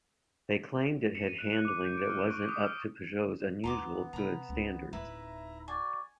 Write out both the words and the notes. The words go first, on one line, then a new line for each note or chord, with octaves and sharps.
They claimed it had handling that wasn't up to Peugeot's usual "good" standards.
C#7
D#7
F#6
F#6
D6
G6
D7
F6
C#6
D#6
F6
D#2 B3 A#5 C6 D6
C3 A#5 B5
C#2
D1 D#4 E4 B4 E5 A#5
F#4 D5 G#5